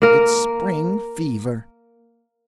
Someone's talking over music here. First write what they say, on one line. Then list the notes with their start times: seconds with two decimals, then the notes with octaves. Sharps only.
It's spring fever.
0.02 A#3 A#4